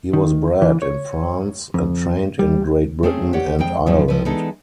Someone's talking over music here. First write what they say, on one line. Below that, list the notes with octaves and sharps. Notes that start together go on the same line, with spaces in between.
He was bred in France and trained in Great Britain and Ireland.
D#3
E3
C#5
F2
G3
A3 C4 C#4 G#4
G4 C#5 D5 F#5
F2 G#3 C4 G5
G#2 D3 F3 F#3 A3 C#4
F3 B4
E3 G#3 B3 D4 D#4 A4